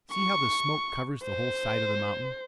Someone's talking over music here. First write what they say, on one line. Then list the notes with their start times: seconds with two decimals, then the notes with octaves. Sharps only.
See how the smoke covers the whole side of the mountain.
0.12 C#6
1.24 C5